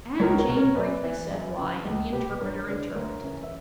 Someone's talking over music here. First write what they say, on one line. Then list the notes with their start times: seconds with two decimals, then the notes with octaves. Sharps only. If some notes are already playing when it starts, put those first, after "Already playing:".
And Jane briefly said why, and the interpreter interpreted.
0.20 C#2 A#4 C#5
0.39 A#4 C#5
0.48 B2
0.56 A#4 C#5
0.75 F#2 B4 D5
1.04 E3
1.31 F#2
1.58 C#3 E3
1.85 C#2
2.13 B2 G4 B4
2.41 G2 A#4 C#5
2.68 D3 B4 D5
2.96 D2 A#4 C#5
3.23 C#3 E3
3.43 E5